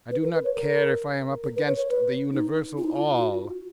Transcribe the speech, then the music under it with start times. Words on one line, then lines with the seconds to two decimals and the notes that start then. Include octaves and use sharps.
I do not care if I am up against the universal All.
0.11 B4
0.22 A#4
0.33 B4
0.44 C#5
0.55 A#4
1.44 A#4
1.56 B4
1.66 C#5
1.77 C#5
1.89 B4
2.33 D#4
2.78 F4
2.84 D#4
2.91 F4
3.16 F4
3.21 F#4